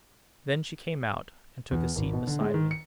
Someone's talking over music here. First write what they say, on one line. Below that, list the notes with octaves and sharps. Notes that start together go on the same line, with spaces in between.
Then she came out, and took a seat beside me.
E2
G#1
B2
D3
G#3
D#3
C#7